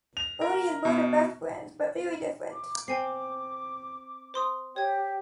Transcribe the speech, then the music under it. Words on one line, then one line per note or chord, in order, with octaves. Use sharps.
Ernie and Bert are best friends, but very different.
F7
A#4
B2
D6
C4 G5 G#5 C7
C5 C6 D#6
G4 C#5 G5 G#6